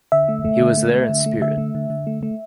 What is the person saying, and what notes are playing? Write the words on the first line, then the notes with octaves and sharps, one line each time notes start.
He was there in spirit.
D3 E5
A3
A3
D3
A3
A3
D3
A3
D3 E5
A3
D3
D3
A3
A3